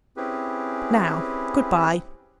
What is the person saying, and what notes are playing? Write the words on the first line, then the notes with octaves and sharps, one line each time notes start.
Now good-bye.
C4 C#4 E4 G4 G#4 B4